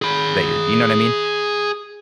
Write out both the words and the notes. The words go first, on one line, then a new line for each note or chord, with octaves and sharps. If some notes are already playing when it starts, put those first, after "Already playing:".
that you're you know what I mean?
G#4 B5